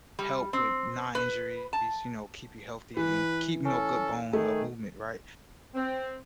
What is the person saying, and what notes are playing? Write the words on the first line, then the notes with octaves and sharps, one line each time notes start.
help with knee injuries, you know, keep you healthy and keeping up good bone, uh, movement, right?
G3
C4
B4
A5
E3 B4
C#4 A4
D#3 A3 G#4
C4